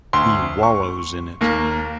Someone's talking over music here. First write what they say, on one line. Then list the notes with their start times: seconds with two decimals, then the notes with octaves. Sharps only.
He wallows in it.
0.13 D2 C6
0.63 C#6
1.41 D#2 A#3